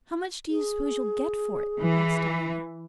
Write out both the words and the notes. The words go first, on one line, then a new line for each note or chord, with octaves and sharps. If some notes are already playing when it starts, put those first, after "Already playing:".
"How much do you suppose you'll get for it?" asked Diana.
G#4
E3